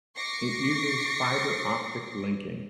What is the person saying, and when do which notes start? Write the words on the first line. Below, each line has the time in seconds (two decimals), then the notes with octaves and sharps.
It uses fiber optic linking.
0.17 C#6 D6 A#6 C7 C#7